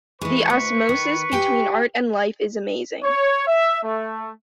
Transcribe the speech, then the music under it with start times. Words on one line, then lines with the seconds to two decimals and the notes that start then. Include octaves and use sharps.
The osmosis between art and life is amazing.
0.21 E3 G#3 B4 C#6
0.50 D2
0.89 D#3
1.32 G4 G5 G#5
3.03 C#5
3.47 E5
3.83 A3